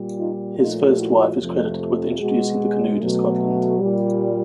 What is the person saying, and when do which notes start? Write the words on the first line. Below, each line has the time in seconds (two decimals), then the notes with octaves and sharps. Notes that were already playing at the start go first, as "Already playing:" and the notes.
His first wife is credited with introducing the canoe to Scotland.
Already playing: A#2 G3
0.18 D#4 F4
0.58 A#2 F3 A3 D#4 F4
0.98 E4 F#4
1.39 F2 C3 F3 A3
2.18 B2 G#3 F#4 G#4
2.98 B2 F#3 A3
3.79 A#2 G3